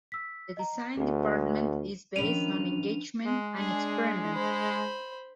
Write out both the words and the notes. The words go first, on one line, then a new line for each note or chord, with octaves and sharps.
The design department is based on engagement and experiment.
E6 B6
D#5 A#5
D2 G#4
D#3 F3 C#4 D4 B4 D#7 F7
G#3
D4 G#4
C5 B5